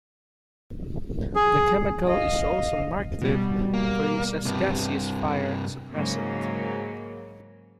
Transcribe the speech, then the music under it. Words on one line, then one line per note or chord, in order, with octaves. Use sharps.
The chemical is also marketed for use as a gaseous fire suppressant.
G#4
D#5 F5
B2 G3
A#3
G2 C3
G#2 C#3 F#3 A#3